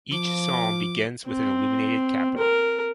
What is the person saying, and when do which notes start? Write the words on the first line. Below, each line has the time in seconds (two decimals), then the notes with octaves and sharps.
Each psalm begins with an illuminated capital.
0.11 F3 D6
1.28 C4
2.38 A#4